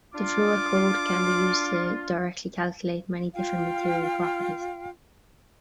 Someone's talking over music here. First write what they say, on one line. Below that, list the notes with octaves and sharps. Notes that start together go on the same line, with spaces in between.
The Fleur code can be used to directly calculate many different material properties.
D4 F4 D6
F4 F5 G5